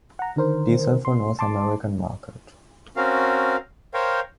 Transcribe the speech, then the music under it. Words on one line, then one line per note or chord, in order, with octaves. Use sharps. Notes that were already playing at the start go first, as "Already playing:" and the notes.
Diesel for North American Market.
F#5 A#5
D3 D#3 A#4 C5
C6
A5 C6 D6
C4 C#4 F#4 A#4 F5
A#4 C5 C#5 F5 G5